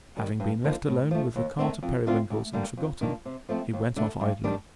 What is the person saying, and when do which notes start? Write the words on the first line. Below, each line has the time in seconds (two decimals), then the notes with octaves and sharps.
Having been left alone with the cart of periwinkles, and forgotten, he went off idling.
0.17 D#3 G3
0.40 G2
0.64 D3 F3 A#3 D#4
0.88 A2
1.11 F3 A3
1.36 D#2
1.59 D#3 A3 C4
1.83 F2
2.06 D3 A3 C4 F4
2.30 D2
2.53 D3 G3 A#3
2.77 F2
3.01 D#3 A#3 D4 F4
3.25 C3
3.49 F3 A3 C4
3.73 D#2
3.96 D3 A3
4.21 G2
4.44 D#3 G3 D4 G4